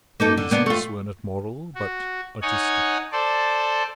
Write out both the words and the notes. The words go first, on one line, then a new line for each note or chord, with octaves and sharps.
My reasons were not moral but artistic.
A#3 D#4 A4
D3
A#3 B3 D4
A3 F4
F#4
D#4 C#5 F#5 G#5
A4 C5 D5